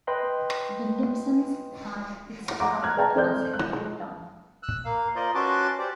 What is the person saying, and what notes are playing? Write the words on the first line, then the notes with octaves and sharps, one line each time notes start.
Williamson had its start as a coal town.
B4 D#5 G5 B5 C6
F#5 A#5 C6 D6
A#5 F6 F#6 G#6
B4 D5 G5 A5 A#5
C4 A4 C5 D5 D#5 G6
F#6
E6 F#6
A#3 F5
F4 A#4 C5 D5 D#5
C#4 F#4 B4 A5 C6 D6
G4 C5 D5